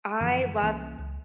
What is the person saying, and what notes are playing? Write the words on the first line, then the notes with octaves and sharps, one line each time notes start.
I love
F#2 D3 E3 F3
C2 E3 A#3 C#4
C#2